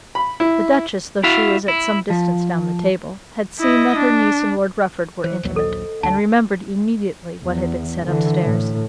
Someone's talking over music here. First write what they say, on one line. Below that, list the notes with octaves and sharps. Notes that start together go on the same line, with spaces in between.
The Duchess, though she was at some distance down the table, had seen that her niece and Lord Rufford were intimate, and remembered immediately what had been said up-stairs.
B5
E4
E4 F#4 E5 F5
E4
F3
E4 D#5
D4
E3 C5
A#1 D#2 F#3
A4 D#5
D2 A5
E2
D3 E3
A2